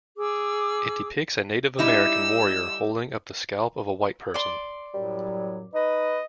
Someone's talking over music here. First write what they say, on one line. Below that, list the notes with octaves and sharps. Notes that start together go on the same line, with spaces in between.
It depicts a Native American warrior holding up the scalp of a white person.
G#4 D6 E6
G3 D#4 E4 E6
D5 C6
F#2 A2 F#3 G3
D#4 B4 D#5